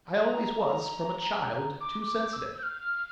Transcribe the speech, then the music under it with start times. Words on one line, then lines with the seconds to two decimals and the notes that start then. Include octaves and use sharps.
I always was, from a child, too sensitive.'
0.24 A#5
1.80 D6
2.06 D6
2.33 E6
2.58 G6
2.63 F6